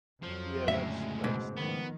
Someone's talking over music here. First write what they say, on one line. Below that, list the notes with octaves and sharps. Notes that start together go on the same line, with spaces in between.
Yeah, that's that's
F2 F3 F#3
D2 A2 C#3 G#3 E5
G#2 B2
D#3 F3 B3